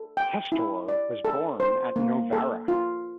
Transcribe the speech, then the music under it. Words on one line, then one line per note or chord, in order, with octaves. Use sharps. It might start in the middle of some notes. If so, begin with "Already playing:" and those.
Testore was born at Novara.
Already playing: A4
G5
E4
D5
A4
C5
A#3
A4
F4